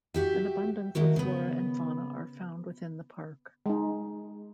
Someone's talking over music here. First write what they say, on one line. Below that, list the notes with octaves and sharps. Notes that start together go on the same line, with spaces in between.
An abundance of flora and fauna are found within the park.
F#4 G4 E5
D#3 A3 A#3 F#4
C#3 B3
G#3 D#4